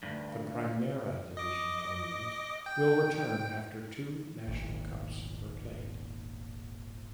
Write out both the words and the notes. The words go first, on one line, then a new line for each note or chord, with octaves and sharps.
The "Primera Division" tournament will return after two national cups were played.
D2 G2
D#5 D6
G5
D#1 G#1